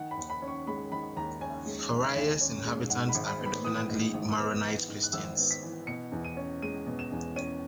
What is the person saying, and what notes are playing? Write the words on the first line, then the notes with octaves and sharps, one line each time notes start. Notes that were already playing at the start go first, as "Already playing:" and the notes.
Faraya's inhabitants are predominantly Maronite Christians.
Already playing: D#3 F#5
B5
D#2
B5
C#4
C#6
G#3 B5
D#3 B5
D#2 A#5
C#4 G#5
G#3
D#3
D#2
C#4
G#3
G#2 F#5
B5
G#1
B5
B3
B5
E3 D#6
G#2
G#1
B3
E3
G#2
F#6
G#1 E6
B3
B6
E3
B2 C#7
E2
D#7
C#4
G#3 D#7
B2
E7
E2
C#4 D#7